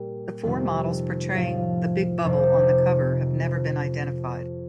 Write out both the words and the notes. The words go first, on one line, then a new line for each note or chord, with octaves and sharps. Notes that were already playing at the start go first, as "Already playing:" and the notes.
The four models portraying the Big Bubble on the cover have never been identified.
Already playing: A#2 G3
F2 C3 D#3 G3
A2 F3 F5
F2 C3 D#3